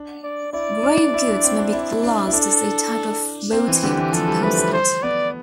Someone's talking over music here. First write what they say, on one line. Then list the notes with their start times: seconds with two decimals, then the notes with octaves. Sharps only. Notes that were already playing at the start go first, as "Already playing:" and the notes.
Grave goods may be classed as a type of votive deposit.
Already playing: D4
0.23 D5
0.53 E4 D5
0.83 D4
1.14 E4
1.28 D4
1.44 C4
1.59 D4
1.73 E4
2.03 D4
2.27 E4
2.33 D4 A4
3.53 C4
3.68 E3
3.83 D3 G4
3.98 E3
4.13 F3 A4
4.28 G3
4.43 A3 B4
4.58 G3
4.73 C5
5.03 B3 D5